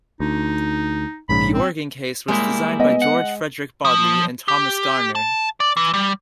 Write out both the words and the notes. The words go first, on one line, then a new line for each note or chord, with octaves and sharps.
The organ case was designed by George Frederick Bodley and Thomas Garner.
D2 D#4
A#1 G#2 C#3 B5
C4
G3 G#3 A#3 E4
B3 D#5
F#5
F3
G4
A5
D5
E3
G3